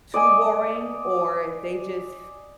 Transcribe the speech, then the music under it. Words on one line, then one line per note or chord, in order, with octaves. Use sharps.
too boring, or they just
D5 D#5 G#5 D6